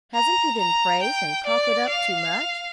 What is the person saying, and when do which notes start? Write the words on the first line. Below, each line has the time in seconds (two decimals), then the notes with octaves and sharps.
Hasn't he been praised and cockered up too much?
0.15 A#5
0.59 A#5
1.03 G5
1.46 D5
1.90 F5